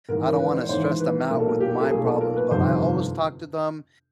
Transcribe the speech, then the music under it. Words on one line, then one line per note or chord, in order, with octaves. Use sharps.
I don't wanna stress them out with my problems, but I always talk to them,
G#1 G#2 E3 A#4
A#4
A#4
B4
C5
C#5
G#1 G#2 E3 C5
B4
B1 A#2 A#4
A4
A#4
G4
A4
B1 A#2 G#4
A4
A#4
B4
G1 F2 C3 D#3 C5